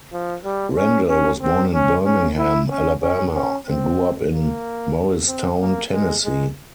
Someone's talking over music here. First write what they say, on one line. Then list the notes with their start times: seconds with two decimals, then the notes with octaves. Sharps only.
Randall, was born in Birmingham, Alabama and grew up in Morristown, Tennessee.
0.13 F3
0.44 G3
0.77 C#4
1.09 C#4
1.41 C4
1.74 C#4
2.06 C#4
2.38 E4
2.70 C#4
3.02 C#4
3.34 C#4
3.66 C4
4.31 A#3
5.27 C4
5.60 A#3
5.92 G#3
6.24 G#3